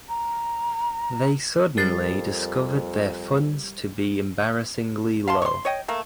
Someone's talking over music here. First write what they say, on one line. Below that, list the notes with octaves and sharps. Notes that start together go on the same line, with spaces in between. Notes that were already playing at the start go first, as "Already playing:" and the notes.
They suddenly discovered their funds to be embarrassingly low.
A#5
F2 G3 A#4 A6 C7
F5 A5 C6
C6 C#6
C#5 D#5 G5
A3 A#3